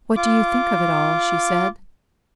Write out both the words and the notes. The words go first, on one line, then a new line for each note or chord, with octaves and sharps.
"What do you think of it all?" she said.
F4 D6